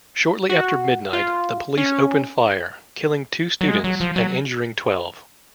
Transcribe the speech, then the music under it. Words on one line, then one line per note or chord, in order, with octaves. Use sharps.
Shortly after midnight, the police opened fire, killing two students and injuring twelve.
F#4
F4
C#4
F#3
G#3
F#3
F3
F#3